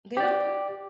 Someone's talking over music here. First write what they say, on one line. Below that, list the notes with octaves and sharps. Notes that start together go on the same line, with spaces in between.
They don't put
G4 D5